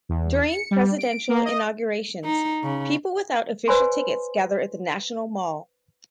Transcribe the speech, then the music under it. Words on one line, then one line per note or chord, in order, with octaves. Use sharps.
During presidential inaugurations, people without official tickets gather at the National Mall.
E2
C#7
G3
D7
A#3
D#5
D#4
C#3
B4 C5 D5 G#5 B5 C6